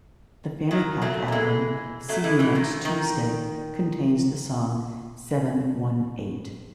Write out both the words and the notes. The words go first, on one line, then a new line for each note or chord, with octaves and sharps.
The FannyPack album "See You Next Tuesday" contains the song "Seven One Eight".
D#3 F#3
F#3 A3
F#3
E3 G#3
F#3 A3
E3 G#3
C#3 E3
D#3
D#3